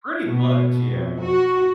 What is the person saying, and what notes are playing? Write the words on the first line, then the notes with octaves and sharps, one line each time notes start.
pretty much, yeah.
B2
F2
F#4